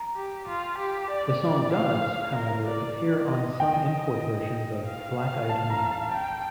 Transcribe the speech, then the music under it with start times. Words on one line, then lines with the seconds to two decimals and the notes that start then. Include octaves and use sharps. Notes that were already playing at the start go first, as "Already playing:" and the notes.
The song does, however, appear on some import versions of "Black Eyed Man".
Already playing: A#5
0.16 G4
0.47 F4
0.78 G4
1.10 D5
1.42 D5
1.73 F5
2.35 A#4
2.67 D5
2.97 D5
3.29 D#5
3.60 G5
4.85 F5
5.49 A5
5.70 A#5
5.91 A5
6.11 G5 A5